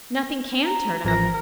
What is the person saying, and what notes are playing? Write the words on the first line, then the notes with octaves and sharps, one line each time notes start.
Nothing can turn up.
A#5
A1 F3 A#4 A#6